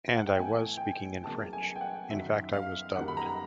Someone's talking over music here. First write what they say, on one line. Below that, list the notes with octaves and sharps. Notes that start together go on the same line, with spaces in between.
And I was speaking in French; in fact I was dubbed.
F#5
G5
A2 E3 A3 G#5
G5
G#5
E2 C#3 F#3 A#3 A5
G#5
G5
F#5
F#2 D#3 F#3 E5
F5
F#2 D#3 G3 A#3 F#5
B5
A#5